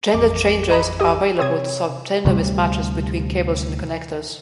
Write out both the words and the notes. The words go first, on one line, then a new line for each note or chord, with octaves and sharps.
"Gender changers" are available to solve gender mismatches between cables and connectors.
A1 F2 D6
D#5 A#5 B5
G4 D#5
C3 C4 C#5 D#6 G#6
D2 C3 G3